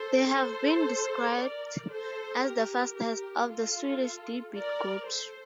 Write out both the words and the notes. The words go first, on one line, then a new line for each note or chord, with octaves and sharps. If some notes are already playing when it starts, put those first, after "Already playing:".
They have been described as the fastest of the Swedish D-beat groups.
Already playing: A4 C5
A4 C5
A#4 D5
A4 C5
G4 A#4
G4 A#4
F4 A4
A#4 D5
A4 C5